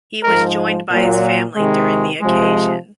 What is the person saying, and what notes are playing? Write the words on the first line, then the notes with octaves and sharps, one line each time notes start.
He was joined by his family during the occasion.
G#2 F3 G#3 A#4
A#2 F#3
C3 D#3 G#3
C3 F3 G#3